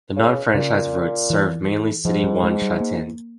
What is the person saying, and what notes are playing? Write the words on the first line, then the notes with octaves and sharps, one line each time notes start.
The non-franchised routes serve mainly City One Sha Tin.
C#3
A#2 C#3
E3
G#2 F3
G3
G#3
G3
A#3